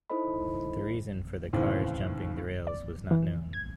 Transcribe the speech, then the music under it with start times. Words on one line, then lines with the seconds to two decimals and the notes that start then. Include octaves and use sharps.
The reason for the cars jumping the rails was not known.
0.10 D#4 E4 A4 C5 D#5 B5
1.53 D#2 A2 C#3 E3 C4
2.67 D5
3.11 E3
3.53 G#6